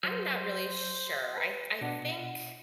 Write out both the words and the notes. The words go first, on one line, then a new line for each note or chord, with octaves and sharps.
I'm not really sure. I th I think,
F#3 C5
B4
B2 D4 F#5